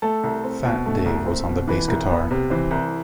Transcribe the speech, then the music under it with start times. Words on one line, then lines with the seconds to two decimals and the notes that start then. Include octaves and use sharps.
'Fat' Dave was on the bass guitar.
0.02 A3 A4
0.24 C2
0.44 C4
0.65 B2
0.86 A3
1.06 C2
1.26 C4
1.48 B2
1.68 E3 B4
1.88 C2
2.10 B3
2.31 C3
2.50 E3 C5
2.71 C2